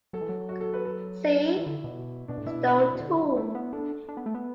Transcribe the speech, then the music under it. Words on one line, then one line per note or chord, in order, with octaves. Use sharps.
See: Stone tool.
F#3 A4
E3
F#3
F#4
A4
B4
A4
E3 E4
D3
B2
B2 D4
A2
B2 E4
E4
D4
B2
D3
F#3
A3 E4
B3
D4 A4
D4
B3
A3
B3